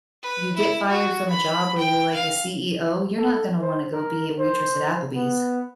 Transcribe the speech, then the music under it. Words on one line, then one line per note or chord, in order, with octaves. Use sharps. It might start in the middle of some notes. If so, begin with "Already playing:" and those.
you get fired from a job where you're, like, a CEO, you're not gonna wanna go be a waitress at Applebee's,
B4
E4
F#4
B5
G5
F5
A4
C5
A#4
C5
B3